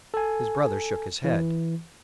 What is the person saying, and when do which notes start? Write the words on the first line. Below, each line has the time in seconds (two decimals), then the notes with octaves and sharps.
His brother shook his head.
0.14 A4 G#5
1.24 E3